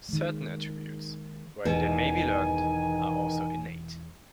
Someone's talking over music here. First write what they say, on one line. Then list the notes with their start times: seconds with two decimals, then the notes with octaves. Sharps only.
Certain attributes, while they may be learned, are also innate.
0.09 D#3 G#3
1.65 E1 E2 B2 D#3 G#5